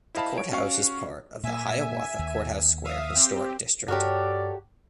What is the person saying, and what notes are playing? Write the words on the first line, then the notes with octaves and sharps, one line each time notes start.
The courthouse is part of the Hiawatha Courthouse Square Historic District.
E4 C5 D#5 F5 A5 B5
C#5 D7
C#4 F#4 F5 C#6
A#2 A#3 E5 G#5
D#2
E5 F5 D#6
C4 G4
G2 F#4 G4 A4 A#4 C#5 D5